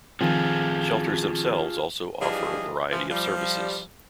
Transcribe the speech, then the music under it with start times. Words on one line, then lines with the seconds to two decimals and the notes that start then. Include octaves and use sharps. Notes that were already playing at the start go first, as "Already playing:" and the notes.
Shelters themselves also offer a variety of services.
0.21 D#3 F3 C4 F4 G#4 A4
2.21 E3 F3 G3 D4 G#4 D#5
2.91 E3 F3
3.10 F3 G3